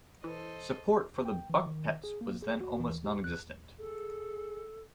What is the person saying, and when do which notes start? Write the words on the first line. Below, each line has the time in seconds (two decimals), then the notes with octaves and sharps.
Support for The Buck Pets was then almost non-existent.
0.24 E3 A4 C5 D#5
1.25 G5
1.50 E3
1.66 D#3
2.04 G#4
2.21 A#3
2.42 G#4
2.61 F#4
2.80 E3
3.05 G4
3.24 F#6
3.78 G#4 A4